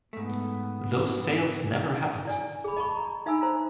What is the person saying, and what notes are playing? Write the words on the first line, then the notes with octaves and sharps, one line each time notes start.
Those sales never happened.
G#2 A3 B3
E4 D5 G#5
G#4 B5
D#5 A5 B5 C#6
A#5
D#4 E5 G#5 B5 E6
C5 A#5